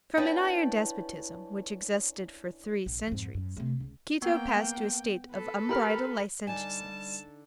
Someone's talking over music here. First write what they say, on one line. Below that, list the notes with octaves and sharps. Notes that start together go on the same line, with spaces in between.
From an iron despotism which existed for three centuries, Quito passed to a state of unbridled licentiousness.
C#4 D4 E4 B4 G5 A5
A#1
F2 G#2
F#2
C3 A3
C#2
A#3 B3 G5
A4 B4
G4 A#4 A#5 B5 F6
D3 G3 D#4 G#5 A5 E7